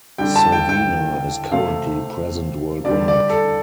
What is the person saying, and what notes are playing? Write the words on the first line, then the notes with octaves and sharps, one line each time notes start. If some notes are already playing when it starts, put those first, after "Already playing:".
Sovena is currently present worldwide.
D3 G3 G5
A5
G5
G5
C3 A3 F5
D3 G3 D5
D5
A4